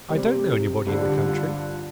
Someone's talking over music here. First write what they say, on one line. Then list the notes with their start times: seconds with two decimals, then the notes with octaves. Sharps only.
I don't know anybody in the country.'
0.09 C3 G3 C4 G4
0.87 G2 D3 F3 G4
1.26 F4